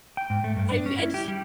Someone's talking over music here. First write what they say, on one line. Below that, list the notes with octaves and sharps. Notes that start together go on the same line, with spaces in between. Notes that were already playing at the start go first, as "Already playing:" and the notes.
I mean, I ju
G5
G#2
A3
G2
D4
C#4
E4
G4
G3